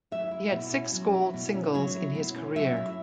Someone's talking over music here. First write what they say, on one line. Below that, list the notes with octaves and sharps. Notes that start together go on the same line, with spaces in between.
He had six gold singles in his career.
F#3 E5
E4
B2
C#4
F#3
E4
B2
C#4
F#3 C#5
E4
B2
C#4
F#3 E5
E4